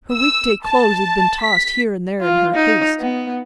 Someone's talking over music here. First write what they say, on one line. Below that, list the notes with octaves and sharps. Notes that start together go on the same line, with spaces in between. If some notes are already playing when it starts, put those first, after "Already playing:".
Her week-day clothes had been tossed here and there in her haste.
E6
A5
B6
F4
D#4
B3